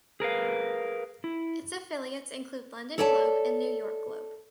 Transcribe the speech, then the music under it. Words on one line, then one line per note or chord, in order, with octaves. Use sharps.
Its affiliates include London Globe and New York Globe.
G#4 A#4 B4 F5
E4
A4 C#5 D5 E5 G#5 A5